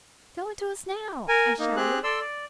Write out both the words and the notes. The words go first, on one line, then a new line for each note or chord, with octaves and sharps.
"Show it to us now!" I shouted.
A#4 G#5
A#3 D#4
C4 G4 G#4 F#6
A4 D5 C6 E6
D5